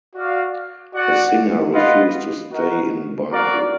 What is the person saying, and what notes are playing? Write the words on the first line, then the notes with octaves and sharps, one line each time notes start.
The singer refused to stay in Baku.
F#4 D5 F5
F#4 D5 F#5
F4 B4 D#5 F#5
F#4 A#4 D#5 F#5
F#4 A#4 D5 F5